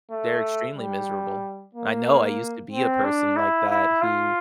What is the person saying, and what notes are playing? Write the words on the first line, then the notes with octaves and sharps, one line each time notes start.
They're extremely miserable. I know, I used to be a person like that who
A3
G3
A#3
C4
D4
E4
E4
F4